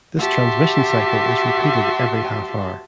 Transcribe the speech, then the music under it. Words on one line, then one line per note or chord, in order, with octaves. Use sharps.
This transmission cycle is repeated every half-hour.
F#4 G4 E5 A5 C6